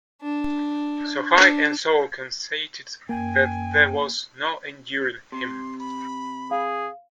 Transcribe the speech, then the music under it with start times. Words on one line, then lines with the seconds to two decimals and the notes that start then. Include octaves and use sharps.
So high and so conceited that there was no enduring him!
0.22 D4
1.36 D4
3.09 F#2 A#3 G5 G#5
5.32 C3 C6
5.79 B5
6.51 G#4 F5